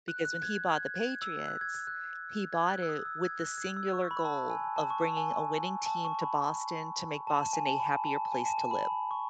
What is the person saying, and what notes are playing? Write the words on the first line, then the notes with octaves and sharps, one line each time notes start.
because when he bought the Patriots, he bought it with the singular goal of bringing a winning team to Boston to make Boston a happier place to live.
F#6
F#6
G#6
G#6
G#6
E6
F#6
G#6
G#6
F#6
G#6
F#6
E6
D#6
E6
G#6
F#6
G#6
E6
C#6
B5
A5
A5
G#5
A5
A5
C#6
A5
G#5
A5
C#6
B5
A5
A5
G#5
A5
B5
A5
G#5
A5
A5
B5
B5
C#6